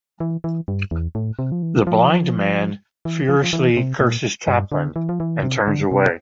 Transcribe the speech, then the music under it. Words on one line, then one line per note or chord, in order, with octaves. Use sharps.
The blind man furiously curses Chaplin and turns away.
E3
E3
G2
E2
A2
C3
F3
E3
F3
E3
F3
F3
E3
C3
A#2
G2
D3
E3
F3
E3
D3
C3
D3
C3